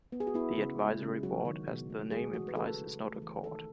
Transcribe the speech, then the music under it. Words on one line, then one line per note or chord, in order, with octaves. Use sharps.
The Advisory Board as the name implies is not a court.
B3
G#4
F#4
B3 E4
C#3
G#3
C#3
F#3 F#4
D#3
B2
A3
G#3 G#4
E3 F#4
B4
C#3 A4
C#3
A3
E3
D#3 A4